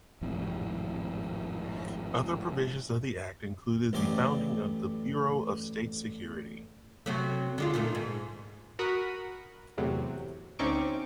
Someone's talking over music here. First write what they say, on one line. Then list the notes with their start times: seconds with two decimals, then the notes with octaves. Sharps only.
Other provisions of the Act included the founding of the Bureau of State Security.
0.21 G#1 F2 A2 C3
3.93 A1 F#2 G3 D5 G#5
7.06 C3 F#3 A3
7.58 D3 G#3 F4
7.74 A#2 D#3 A3
7.95 G#2
8.79 F#4 A#4 F#5 B5 D#6
9.77 E2 A2 C3 F#3
10.59 D2 C4 C#4 D#4 C#6 D6